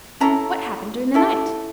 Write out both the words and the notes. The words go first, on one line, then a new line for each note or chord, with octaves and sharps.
What happened during the night?
C#4 E4 A4 A#5
C#4 E4 A4